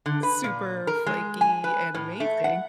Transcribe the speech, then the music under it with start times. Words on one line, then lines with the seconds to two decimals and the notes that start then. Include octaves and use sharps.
super flaky and amazing.
0.06 D3
0.23 B4
0.44 A#2
0.87 A#4
1.06 G#3
1.41 G#5
1.64 B4
1.94 A2
2.20 A3
2.44 F#5